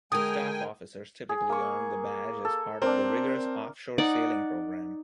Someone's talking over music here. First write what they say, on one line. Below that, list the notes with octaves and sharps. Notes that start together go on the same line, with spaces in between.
Staff officers typically earn the badge as part of the rigorous off-shore sailing program.
D3 G#3 A#4 G5 G#5 D#6
G#4
A#3 C#6
A4
C4 D4 A#4
D#4 D5 F#5